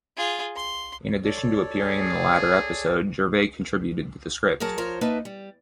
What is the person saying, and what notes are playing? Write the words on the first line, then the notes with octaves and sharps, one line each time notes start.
In addition to appearing in the latter episode, Gervais contributed to the script.
F4 G#4
C6
A4 C#5 D5
G#4
F#3 G#4 A#4 C#5 A5
F3 A#4 C5 C#5
A#3 D#4 B4 E5 A5
G3